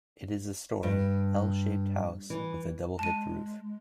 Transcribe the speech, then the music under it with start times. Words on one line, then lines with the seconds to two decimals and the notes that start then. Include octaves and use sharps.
It is a -story, L-shaped house with a double hipped roof.
0.83 G2
2.30 E3
2.99 G#3 A5 D#7